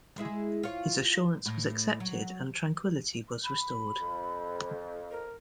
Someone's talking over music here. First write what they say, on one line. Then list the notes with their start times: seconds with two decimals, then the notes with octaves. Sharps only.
His assurance was accepted and tranquillity was restored.
0.18 G#3 E4 G#4
0.63 F4 C#5
1.46 A2
2.00 F#3
3.44 B5
4.00 F2
5.11 A#4